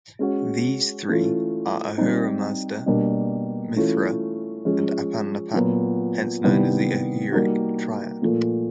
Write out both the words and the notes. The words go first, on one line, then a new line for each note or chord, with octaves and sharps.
These three are Ahura Mazda, Mithra, and Apam Napat-hence known as the "Ahuric triad".
G#3 C#4 F#4
E3 A3 C#4 F4
G3 C4 D#4
B2 G3 A#3 D4
E3 A3 C#4 F4
F3 G#3 C#4
A#2 F#3 B3
C3 D#3 G3 B3 E4
G3 A#3 D#4 F#4
A#2 F3 A3